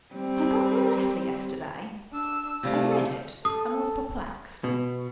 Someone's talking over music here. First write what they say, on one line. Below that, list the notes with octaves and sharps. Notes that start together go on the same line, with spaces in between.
I got your letter yesterday, I read it and was perplexed.
G3 C4
D4 E6
C3 G3 A3 F5
A4 D#6
B2